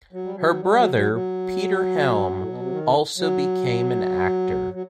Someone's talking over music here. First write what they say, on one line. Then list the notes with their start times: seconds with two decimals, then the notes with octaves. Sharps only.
Her brother, Peter Helm, also became an actor.
0.13 F#3
0.25 G3
0.36 F#3
0.59 G3
0.77 F#3
0.95 F#3
1.12 F#3
2.37 A2
2.49 B2
2.60 C3
2.70 D#3
3.18 F#3
4.73 F#3